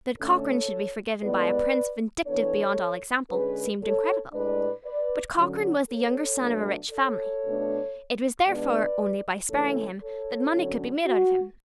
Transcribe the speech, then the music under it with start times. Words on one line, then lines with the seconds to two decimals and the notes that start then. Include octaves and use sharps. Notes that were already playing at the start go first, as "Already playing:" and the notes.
That Cochrane should be forgiven by a prince vindictive beyond all example, seemed incredible. But Cochrane was the younger son of a rich family; it was therefore only by sparing him that money could be made out of him.
0.19 D3 A3 C#4 A4 C#5
1.22 A2 G#3 B3 B4 D5
2.26 E3 B3 D4 A4 C#5
3.29 D3 G#3 C#4 G#4 B4
3.81 A4 C#5
4.33 A2 G#3 D4 B4 D5
4.84 B4 D5
5.36 D3 F#3 C#4
5.88 A4 C#5
6.39 B2 F#3 A3 D4
6.91 A4 C#5
7.44 B2 A3 D4
8.46 B2 G#3 B3 D4 B4 D5
9.49 C#3 E3 A3 C#4 A4 C#5
10.01 A4 C#5
10.53 D3 F#3 C#4
11.05 F#4